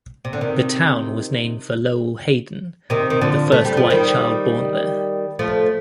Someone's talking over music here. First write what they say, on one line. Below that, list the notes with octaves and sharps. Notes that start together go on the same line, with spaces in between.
The town was named for Lowell Hayden, the first white child born there.
C3
D3
C3 D#3
C3 D#3
D#3
D3 F3
A3
G3
F3
D#3 G3
F3 A3